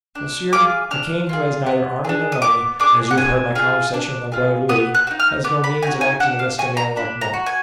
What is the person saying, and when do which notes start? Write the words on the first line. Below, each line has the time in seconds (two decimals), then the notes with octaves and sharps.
"Monsieur, a king who has neither army nor money, as you have heard my conversation with my brother Louis, has no means of acting against a man like Monk."
0.15 D4
0.53 F4 G#4 D6
0.91 D4 F6
1.29 F4 G#4
1.67 B3
2.05 D4 G#4
2.32 D#6
2.42 B3 D6
2.80 D4 G#4 D6
3.11 F#5
3.18 D4 G#5
3.55 F4 G#4
3.94 D4
4.32 F4 G#4
4.69 B3 D#6
4.95 F#6
5.07 F#4
5.11 D#4
5.20 F6
5.44 B3 D6
5.64 B5
5.82 D#4 F#4 G#5
6.01 G#5
6.20 D4 F#5
6.39 F5
6.58 F#4 G#5
6.77 A#5
6.96 D4 B5
7.21 A#5
7.34 F#4
7.46 G#5